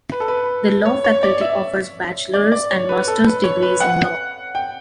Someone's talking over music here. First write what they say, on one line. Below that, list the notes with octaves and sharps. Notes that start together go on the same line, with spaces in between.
The law faculty offers Bachelor’s and Master’s degrees in law.
B4
A4
B4
C#5
C#5
D5
E5
D5
D5
C#5
B4
B4
A4
B4
C#5
B4
F#5
G5